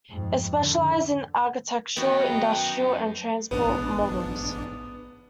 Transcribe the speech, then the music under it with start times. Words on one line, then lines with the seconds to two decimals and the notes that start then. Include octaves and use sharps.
It specialised in architectural, industrial, and transport models.
0.11 F2 G#2
0.61 D3
1.97 F#2 D#3 B3 F#4 C#5 D#5 G5 G6
3.51 A1 G#2 B3 D4